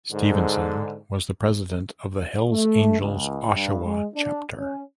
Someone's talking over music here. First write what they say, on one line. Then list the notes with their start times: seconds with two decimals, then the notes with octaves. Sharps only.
Stephenson was the president of the Hells Angels Oshawa chapter.
0.13 G#2 D3
2.51 A3
2.99 C#2
3.53 G2
3.84 G#3
4.14 D4
4.58 C#4